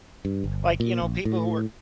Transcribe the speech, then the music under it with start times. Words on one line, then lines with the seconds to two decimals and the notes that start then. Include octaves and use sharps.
like, you know, people who are
0.25 G2
0.44 G1
0.80 A#2
1.02 A#1
1.25 A2